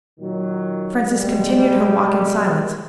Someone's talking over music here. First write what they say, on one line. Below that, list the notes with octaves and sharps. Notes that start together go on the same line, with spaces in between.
Frances continued her walk in silence.
A#2 D#3 F#3
B2 G3 G#3